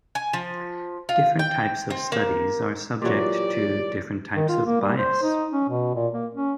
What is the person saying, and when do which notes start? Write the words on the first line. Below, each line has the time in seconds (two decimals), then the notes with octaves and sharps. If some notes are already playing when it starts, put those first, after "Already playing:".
Different types of studies are subject to different types of bias.
0.15 G#5
0.33 F3
1.09 F4
1.39 G5
1.90 C4
2.12 A#3
3.02 A#2 E3 F#3 G4 D5
4.36 D#3
4.48 F4
4.66 A#3
4.81 G3
4.98 C5
5.22 D#4
5.53 C#4
5.69 B2
5.95 A#2
6.13 A#3
6.34 C#4